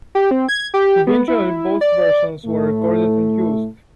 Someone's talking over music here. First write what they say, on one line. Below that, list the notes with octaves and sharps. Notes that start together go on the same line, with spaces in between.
Eventually both versions were recorded and used.
G4
C4
G#6
G4
B3
E4
D5
A2 A3